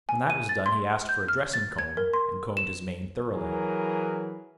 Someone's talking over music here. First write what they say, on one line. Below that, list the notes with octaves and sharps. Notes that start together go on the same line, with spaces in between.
When that was done he asked for a dressing-comb, and combed his mane thoroughly.
G#5
D#7
A6
C6
G6
F6
A6
G#6
A#4
C6
E7
E3 F#3 G#4 A#4